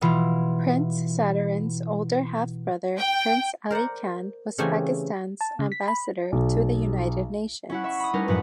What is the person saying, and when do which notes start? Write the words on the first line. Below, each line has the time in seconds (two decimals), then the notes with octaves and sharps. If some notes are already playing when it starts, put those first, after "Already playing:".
Prince Sadruddin's older half-brother, Prince Aly Khan, was Pakistan's Ambassador to the United Nations.
0.01 B2 E3 E4 F4
2.98 G5
3.70 A#4 C5 D5 F#5
4.58 C#3 E3 A3 C4 G4 G#5
5.41 A5
5.59 C#3
5.72 B6
5.88 B5
6.32 B1
7.70 C#4 E4 F#5
7.84 E5 C#6
8.00 B5 D#6
8.13 G3 A3 C#4 D#4 A#4 B4
8.28 F#2 A2 F3 B4 D#5 F#5